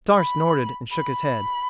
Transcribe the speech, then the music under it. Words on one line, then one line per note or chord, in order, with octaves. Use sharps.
Star snorted and shook his head.
B5
B5